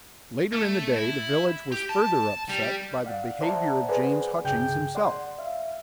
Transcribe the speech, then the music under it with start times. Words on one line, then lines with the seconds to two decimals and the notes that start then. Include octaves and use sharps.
Later in the day the village was further upset by the behaviour of James Hutchings himself.
0.52 A3
0.96 E4
1.72 G4
1.89 A5
2.49 G3
3.04 D5 F5 F#5
3.41 C5 D5 E5 F#5 A5 A#5
3.88 G#4 B4 C5 D5 F#5 G#5
4.44 C#2 G2 C#3 G#4 G5 G6
4.95 D5 F#5 C6
5.38 E5 F5